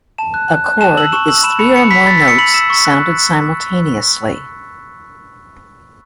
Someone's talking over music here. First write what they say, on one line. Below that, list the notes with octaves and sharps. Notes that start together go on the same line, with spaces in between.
A chord is three or more notes sounded simultaneously.
A5 E7
F#6
F#6
F#6
A5 E7
E6 F#7
C#6 E7
E6 F#7
B5 E7
B5 C#7
B5 C#7
B5 B6
B5 A6
E6 B6
C#7
B5 F#7
E6 E7
C#6
F#6